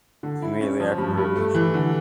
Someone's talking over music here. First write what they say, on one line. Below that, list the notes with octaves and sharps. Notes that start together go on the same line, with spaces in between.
Immediately after the Revolution.
D3
E4
C#4
F3
G2
G2
A3
E3
D3